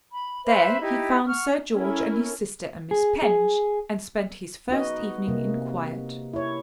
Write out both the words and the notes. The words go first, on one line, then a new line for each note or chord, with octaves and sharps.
There he found Sir George and his sister and Miss Penge, and spent his first evening in quiet.
B5
B4 C5 E5 B5
D#4 E4 G4
F#5 C#6 F6
C#4 E4 A4 A#4
G#4
G#4
B3 D#4 F#4 D#5
C3 A#3
E4 C#5